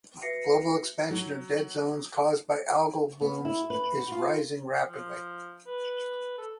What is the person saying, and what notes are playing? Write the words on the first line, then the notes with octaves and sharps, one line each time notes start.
Global expansion of dead zones caused by algal blooms is rising rapidly.
F#4 B4 E5 A#6 C7 C#7
F#3
B3
E4
B4
F#4
F4
F3
B4
A4